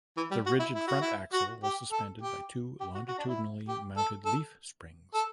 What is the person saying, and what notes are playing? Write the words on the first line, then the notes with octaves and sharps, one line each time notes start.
The rigid front axle was suspended by two longitudinally mounted leaf springs.
E3
G3
F#4
E4
E4
F#4
E4
F#4
G4
A4
G4
G4
F#4
F#4
D4
E4
G4
A4
A4
A4